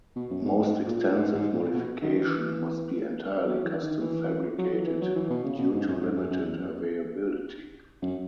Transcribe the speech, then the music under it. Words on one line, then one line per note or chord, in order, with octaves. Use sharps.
Most extensive modification must be entirely custom fabricated due to limited availability.
B2
F#2
G#2
F#2
G#2
A#2
G#2
G#2
A#2
B2
D#3
E3
F#3
E3
D#3
E3
F#3
E3
E3
F#3
E3
B2
C#3
B2
G#2
F#2
G#2
F#2
F#2
E2
F#2
F#2